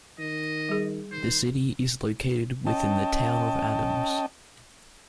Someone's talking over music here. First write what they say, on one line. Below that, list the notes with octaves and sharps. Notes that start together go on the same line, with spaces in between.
The city is located within the Town of Adams.
D#3 D#5
G3 G#4
D#3 C5
C#4 D#5 G5 A5